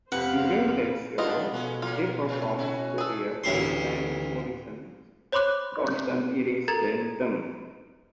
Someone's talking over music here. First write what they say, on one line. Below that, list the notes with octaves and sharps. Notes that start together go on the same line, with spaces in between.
During that show, they performed "Gloria" by Van Morrison's Northern Irish band Them.
F2 C3 B4 C5 F5 F#5
A3 B3 C4 D4 F4 D#5
B2 G#3 A3 C#4
F#3 A#3 B3 F4
A2 C3 C#4
D#4 E4 F#4
G#4 A4
A1 D2 E4 G4 C6
C5 C#5 B5 C6 D6 F#6
A4 A#4 A#5 G#6 A6